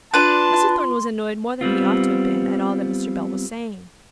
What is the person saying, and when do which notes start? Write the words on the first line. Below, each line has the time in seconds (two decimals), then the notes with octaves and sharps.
Mr. Thornton was annoyed more than he ought to have been at all that Mr. Bell was saying.
0.14 D4 F4 B4 A5 C6
1.61 G3 B3 C4 F4